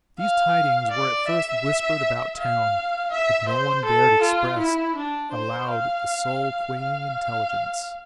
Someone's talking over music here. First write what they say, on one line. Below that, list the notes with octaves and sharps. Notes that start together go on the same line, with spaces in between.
These tidings were at first whispered about town; but no one dared express aloud the soul-quailing intelligence.
F5
D5
E5
F5
E5
C5
A4
F4
E4
D4
C5
F5
F5